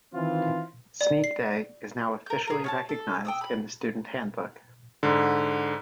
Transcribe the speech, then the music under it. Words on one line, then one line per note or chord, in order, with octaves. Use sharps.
Sneak day is now officially recognized in the student handbook.
D#3 E3 C4 F4
D5
C7
A#4 G6
G#4 A#4
C#5 F5 A5
A4
G5 D#6 E6
B5
G#2 D3